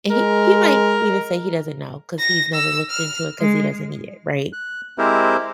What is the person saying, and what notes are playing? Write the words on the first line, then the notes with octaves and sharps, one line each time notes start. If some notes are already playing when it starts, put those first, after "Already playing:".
He he might even say he doesn't know 'cause he's never looked into it 'cause he doesn't need it, right?
G#3 A#4
A#6
E6
F6
G#3
F#6
G#3 C4 E4 G4 A#4 C5